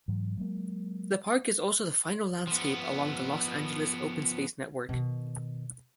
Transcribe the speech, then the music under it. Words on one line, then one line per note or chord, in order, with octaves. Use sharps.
The park is also the final landscape along the Los Angeles Open Space Network.
G#2 E3 F#3
F#3 G#3 A#3
F3 B3
B2 D#3